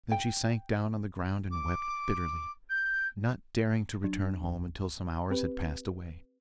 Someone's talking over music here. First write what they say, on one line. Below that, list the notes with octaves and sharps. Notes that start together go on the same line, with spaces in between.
Then she sank down on the ground and wept bitterly, not daring to return home until some hours had passed away.
G5
D6
G6
F#3 D4
G1 D#2
C4 G4 B4